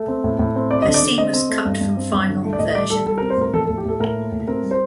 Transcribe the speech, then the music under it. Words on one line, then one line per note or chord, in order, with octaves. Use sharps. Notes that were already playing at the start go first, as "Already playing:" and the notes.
Her scene was cut from final version.
Already playing: A3
C4
A2
A2
C4
C4 D5
D3 D#5
D5
D3
C4 D#5
C4
A3
G2
G2
C4
G2
D3
A3
D5
A2 D#5
D#5
G3 D5
G3 A4
G3 A4
C4 A#4
C5
A2 A#4
F3 A4
A2 A4
G4
A2 A4
A2 A#4
A#3
A2
C4 A#4
G3
C5